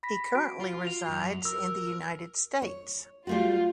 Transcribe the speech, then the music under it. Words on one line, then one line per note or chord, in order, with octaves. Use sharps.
He currently resides in the United States.
B5 A#6 B6
F#4 D7
F4
F7
F#2
A#4 E6
C#5
G3 A3 F4 F#4